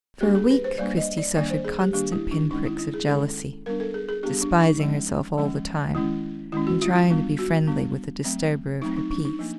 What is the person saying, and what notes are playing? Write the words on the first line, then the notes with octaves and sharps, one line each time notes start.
For a week Christie suffered constant pin-pricks of jealousy, despising herself all the time, and trying to be friendly with the disturber of her peace.
G3 A#3 D4 G4
G#4
B4
C5
G3 A#3 D4 D5
D#5
D5
D#3 G3 A#3 D4 D5
C5
G#4
G4
D#3 G3 A#3 D4 G4
E4
D4
D#3 G#3 C#4 D#4
E4
E4
G#4
D#3 G#3 C#4 A4
G3 B3 D4 A#4
A4
G#4
G#4
G3 B3 D4 G4
D4
D#4
F3 G#3 C#4
F3 G#3 C#4
D#3 G#3 C#4 E4
D#3 G#3 C#4 E4
F#4
F4
F4
G3 B3 D4
F#4
G3 B3 D4
F#3 A3 C4
F#3 A3 C4 D#4
D#4
D4
D#4
F3 A#3 D4